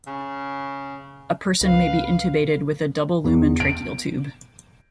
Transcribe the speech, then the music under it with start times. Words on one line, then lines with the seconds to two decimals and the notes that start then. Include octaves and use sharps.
A person may be intubated with a double lumen tracheal tube.
0.07 C#3
1.61 C#2 B4 F5
3.24 E2
3.60 D7